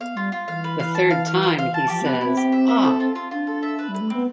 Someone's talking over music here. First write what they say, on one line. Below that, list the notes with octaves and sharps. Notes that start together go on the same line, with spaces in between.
The third time, he says Ah!
B3 F5
G3 F4
F4
E3 F5
B4
F5
A5
F5
F5
C5
F5
A5
F3 G4
C4 B4
B3
C4 E4
G4
E5
E5
A4
F4
F4
D4 F4
A4
E5
B4
G3
B4
A3
B3 C4